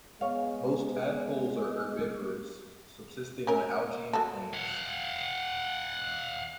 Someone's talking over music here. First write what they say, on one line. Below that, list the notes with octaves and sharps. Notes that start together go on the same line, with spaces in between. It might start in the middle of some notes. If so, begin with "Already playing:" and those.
Most tadpoles are herbivorous, subsisting on algae and plants.
G#3 B3 C#5 F5
C#4 A#4
F#4 A4
F5 F#5